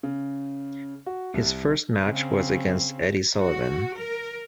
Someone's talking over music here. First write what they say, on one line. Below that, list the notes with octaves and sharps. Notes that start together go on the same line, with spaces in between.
His first match was against Eddie Sullivan.
C#3
F#4
C2
C#3 C4
F#4
A#4